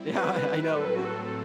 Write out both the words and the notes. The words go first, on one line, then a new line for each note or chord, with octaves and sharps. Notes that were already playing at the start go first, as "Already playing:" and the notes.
Yeah, I I know.
Already playing: G3 C4 E4
B4
A2 F#3 A3 C4
A4
B4
F#4
A4